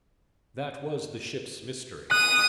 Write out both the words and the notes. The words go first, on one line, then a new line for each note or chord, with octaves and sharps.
That was the ship's mystery.
D#6 F#6